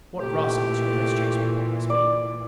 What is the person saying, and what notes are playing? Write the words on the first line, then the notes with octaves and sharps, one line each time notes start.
What rascals your post-chaise people must be!
A#2 E3 A3 G4
D5